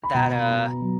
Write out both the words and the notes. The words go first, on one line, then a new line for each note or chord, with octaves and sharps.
that, uh
B5
B2 A#5
B3
F#3